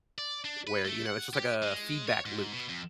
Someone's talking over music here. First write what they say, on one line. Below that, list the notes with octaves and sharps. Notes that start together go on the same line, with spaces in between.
where, you know, it's just like a feedback loop.
D5
D4
B4
A3
F#5
G4
G#3
C#5
G#2
B2
F2